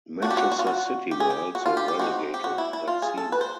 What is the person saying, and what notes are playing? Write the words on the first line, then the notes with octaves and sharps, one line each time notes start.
Manchester City were also relegated that season.
F#3 A#3 D4 F#4
G4
F#4
F#4
F4
F#4
G4
G#4
G4
F#4
F4
G4
G4
G#3 C4 D#4 F#4
G4
F#4
E4
E4
F4
G#4
A4
B4
C5